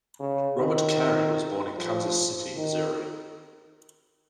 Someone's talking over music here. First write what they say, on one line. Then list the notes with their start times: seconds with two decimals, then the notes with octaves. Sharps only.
Robert Cary was born in Kansas City, Missouri.
0.20 C#3
0.59 D#3
1.77 F3
2.57 D#3